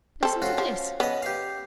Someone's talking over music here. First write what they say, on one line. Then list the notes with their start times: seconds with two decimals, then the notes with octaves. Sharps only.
Listen to this.
0.23 C4 A4
0.42 C#4 F4 F#4
0.58 F3
1.00 B3 C#4 D#5
1.22 G4 F5